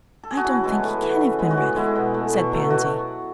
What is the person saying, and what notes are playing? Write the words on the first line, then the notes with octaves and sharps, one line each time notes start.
"I don't think he can have been ready," said Pansy.
A4
G#4
F#4
C#3 E4
F#4
E3 G#3 B3 A4
B4
A2
E3 B3
C#3
G#3 B3
F#4
A2 G#4
G#3 B3 E4
B2
A3
B2
F#3 A3
B2 F#4